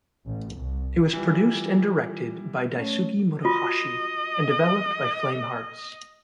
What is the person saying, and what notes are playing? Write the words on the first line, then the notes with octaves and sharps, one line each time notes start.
It was produced and directed by Daisuke Motohashi and developed by Flame Hearts.
A1
C2
E3 G3 F4
A3 C#4 C#5
F4 F#4 D#5